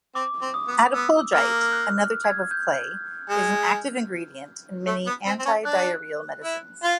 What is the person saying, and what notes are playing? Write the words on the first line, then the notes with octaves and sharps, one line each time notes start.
Attapulgite, another type of clay, is an active ingredient in many anti-diarrheal medicines.
C4 D6
C4
D#6
B3
B3 E6
A#3 F6
F6
F#6
G#6
G6
G#3
A3
B3
C4
C4
C#4
D4 F#6
E4
F4